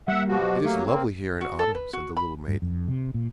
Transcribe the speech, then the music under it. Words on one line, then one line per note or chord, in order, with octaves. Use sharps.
"It is lovely here in autumn!" said the little maiden.
G3 A#3 E5 F#5
B2 F3 F#4 G4
F#3
F#3 A3 A#3
A#3 C4 C#5
F#4
A4
B4
F#4
B5
G2
F2
C3
A#2